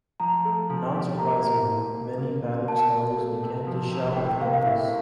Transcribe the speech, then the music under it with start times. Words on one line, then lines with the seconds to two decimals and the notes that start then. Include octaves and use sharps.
Not surprisingly many battered scholars began to shout 'no mas!
0.20 F3 A#5
0.45 A3
0.69 F3
0.94 G4
1.19 A#3 A#5
1.43 A#3 A#5
1.68 A#3
1.94 A#3
2.18 A#3
2.43 F4
2.68 A#3 A5
2.92 A#3
3.17 A3
3.43 C3
3.67 F3
3.92 C3
4.16 A2 G5
4.29 G5
4.41 A#3 F5
4.54 F5
4.66 E4 E5